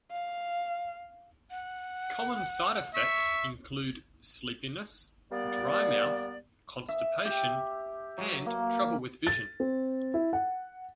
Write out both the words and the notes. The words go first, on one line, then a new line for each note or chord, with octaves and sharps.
Common side effects include sleepiness, dry mouth, constipation, and trouble with vision.
F5
F#5
E5 C#6
G3 A#3 B3 D5
E5
G4
F#3
A#3
A6
C4
E4
F#5